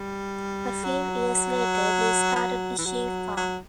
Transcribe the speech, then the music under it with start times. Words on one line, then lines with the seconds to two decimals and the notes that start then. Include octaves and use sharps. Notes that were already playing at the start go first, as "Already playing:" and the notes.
A few years later they started a sheep farm.
Already playing: G3
0.84 F#3
2.36 F#3
2.78 E3
2.86 F#3
3.37 F#3